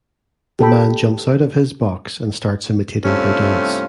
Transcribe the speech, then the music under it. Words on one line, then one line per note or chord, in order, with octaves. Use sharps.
The man jumps out of his box and starts imitating her dance.
G4 A4 G5 B5
G2 C3 A3 C4 C#4 F4